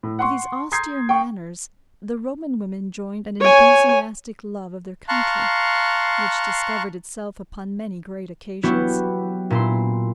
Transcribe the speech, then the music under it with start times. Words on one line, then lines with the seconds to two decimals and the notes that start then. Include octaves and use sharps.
To these austere manners, the Roman women joined an enthusiastic love of their country, which discovered itself upon many great occasions.
0.03 A2
0.19 F#5 C6 C#6
0.72 A#5 C6 D#6 G6 G#6 C7
1.09 G5 C#6
3.40 C#5 G#5
5.09 F5 A5 A#5 C6 C#6 F#6
8.63 F#3 B3 E4 F#4 G4
9.50 A#2 E4 C6